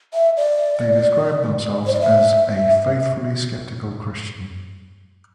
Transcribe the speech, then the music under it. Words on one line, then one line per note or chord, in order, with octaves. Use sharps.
They describe themselves as "a faithfully skeptical Christian".
E5
D5
C5
D5
E5